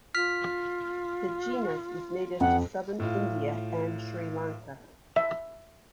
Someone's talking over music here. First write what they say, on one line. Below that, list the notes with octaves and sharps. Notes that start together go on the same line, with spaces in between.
The genus is native to southern India and Sri Lanka.
F4 F6 B6
F2 F#5
A2 F4
E5